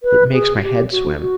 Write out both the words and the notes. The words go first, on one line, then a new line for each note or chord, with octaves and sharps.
"It makes my head swim."
B4
G#4
F#4
G4
F#4
F#4